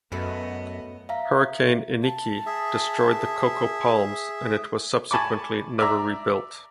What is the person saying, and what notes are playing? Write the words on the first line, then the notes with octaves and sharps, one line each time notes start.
Hurricane Iniki destroyed the Coco Palms and it was subsequently never rebuilt.
F#2 A3 B3 F#4 B4 D#5
E5 F5 A#5
A5
G#4 E5
G#5 A5 B5 C#6 D6
D5 E5 A#5